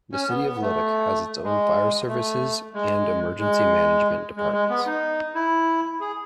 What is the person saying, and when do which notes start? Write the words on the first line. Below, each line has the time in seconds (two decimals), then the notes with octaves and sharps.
The City of Leduc has its own fire services and emergency management departments.
0.12 C#4
0.29 B3
0.45 B3
0.62 A3
1.44 G#3
2.09 A3
2.74 G#3
3.39 G#3
4.37 G#3
4.53 G#3
4.69 B3
4.87 D#4
5.35 E4
6.00 G#4